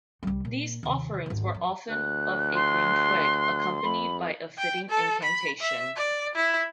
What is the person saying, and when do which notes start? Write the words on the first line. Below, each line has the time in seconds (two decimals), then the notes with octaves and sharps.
These offerings were often of a green twig, accompanied by a fitting incantation.
0.23 C2 G3
0.45 A#2
0.83 D#2 C3
1.26 G#1 D#2
1.54 F2
1.90 D2 F#6
2.55 C6
3.83 F2 B5
4.58 G5
4.90 A4
5.23 B5
5.61 E5
5.96 D5
6.35 E4